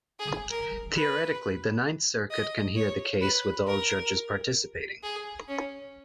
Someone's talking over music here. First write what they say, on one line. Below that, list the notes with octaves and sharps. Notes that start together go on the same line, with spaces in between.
Theoretically, the Ninth Circuit can hear the case with all judges participating.
G#4
A#4
B4
D#5
C#5
B4
A#4
G#4
C#4